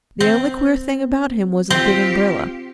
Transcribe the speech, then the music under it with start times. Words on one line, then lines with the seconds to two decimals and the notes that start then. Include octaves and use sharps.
The only queer thing about him was his big umbrella.
0.20 C4
1.70 C4 F4 G4